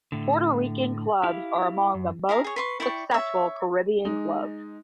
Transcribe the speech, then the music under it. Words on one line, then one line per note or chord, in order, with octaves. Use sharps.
Puerto Rican clubs are among the most successful Caribbean clubs.
A2 D3
E4 G4 F5
F#2
E4 G#4 F5 A#5
G#4 C#5
B4 C6 C#6
E4 D5 G5 C#6
C#5 E5
G#3 D#4